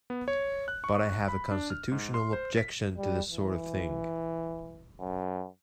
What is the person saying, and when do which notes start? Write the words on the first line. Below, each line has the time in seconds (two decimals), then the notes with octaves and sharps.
But I have a constitutional objection to this sort of thing.
0.10 B3
0.28 C#5
0.68 F#6
0.84 C#6
1.28 B5
1.51 D4
1.70 F6
1.92 G#2
2.14 C6
2.33 C5
2.57 B6
2.97 G3
3.31 E3
4.99 F#2